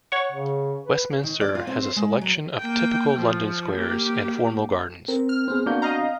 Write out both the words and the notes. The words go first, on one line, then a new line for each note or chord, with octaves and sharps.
Westminster has a selection of typical London squares and formal gardens.
C#5 F#5 C#6
C#3
B4
D#3
D5
F4
C4
C5
G#3
F#3
A#3 G5
F3
A#3 G4
C4 A#4
F6
B3 C4 G#4 C5
A#3 D4 F#4 G6
D#5 F5 A#5